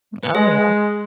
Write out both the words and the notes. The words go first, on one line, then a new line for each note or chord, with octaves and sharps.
Oh, yeah.
B4
G#3 G#4